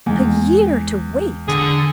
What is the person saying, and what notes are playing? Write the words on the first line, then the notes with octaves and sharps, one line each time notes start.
A year to wait!
E2 G#3 G5
D3 G#4